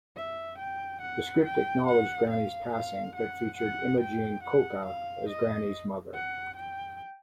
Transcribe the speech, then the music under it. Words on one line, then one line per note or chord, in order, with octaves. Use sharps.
The script acknowledged Granny's passing, but featured Imogene Coca as Granny's mother.
E5
G5
F#5
G5
F#5
F5
F5
F#5
F#5
G5
F#5
F5
D#5
F#5
G5